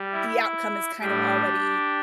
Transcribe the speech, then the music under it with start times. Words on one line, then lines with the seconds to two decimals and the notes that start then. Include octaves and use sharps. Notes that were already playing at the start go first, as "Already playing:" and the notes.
the outcome is kind of already
Already playing: G3
0.13 E4
1.01 A2 G3 D4 G4